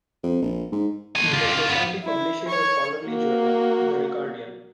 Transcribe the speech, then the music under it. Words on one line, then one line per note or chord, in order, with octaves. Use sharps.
The society publishes a scholarly journal, The Ricardian.
F2
A#1
G#2
A3 G#5
F4 G4
C#3 F4
B3 F4
E4
C#5
A#3 F#4